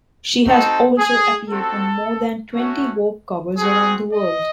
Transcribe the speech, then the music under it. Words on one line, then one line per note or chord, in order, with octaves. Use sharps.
She has also appeared on more than twenty "Vogue" covers around the world.
C4 D#4 F#4 A4
G#4
C4 F#4 A4
A3 C#4 F#4
C4 F#4 G#4
D#5